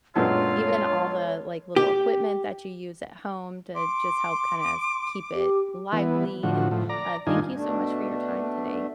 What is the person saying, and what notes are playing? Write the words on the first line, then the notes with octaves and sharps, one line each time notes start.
even all the, like, little equipment that you use at home to just help, kinda s keep it lively, and, uh, thank you so much for your time today.
F#2 A#2 G#3 B3 D4 F4 A4 C#5
G4
C6 D6
G4
E3 B3
A2 D3 F3 F#4
A2 F3
D5 A#5
G2 D#3 D4 D#4 F4 G#5
B2 A3 D4